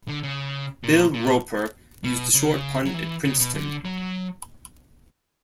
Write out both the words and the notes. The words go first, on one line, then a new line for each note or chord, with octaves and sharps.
Bill Roper used the short punt at Princeton.
D3
C#3
A#2
A#2
B2
C#3
F#3
E3
C#3
B2
D3
F#3